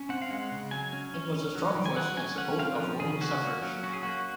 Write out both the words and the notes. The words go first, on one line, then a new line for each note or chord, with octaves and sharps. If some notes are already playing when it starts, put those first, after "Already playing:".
It was a strong voice in support of woman's suffrage.
Already playing: C#4
C4 F#5
F5
G#3 F#5
C#3
F#3 G#5
C#4
C#4
C#4
F#3
D#3
G#5
F#3 F#5
C#4 G#5
C#4 F#5
C4 F5
F3
C#3 G#4
C#4 F#4
A#3
F#3
C#4 F#4
G#4
A#3 F#4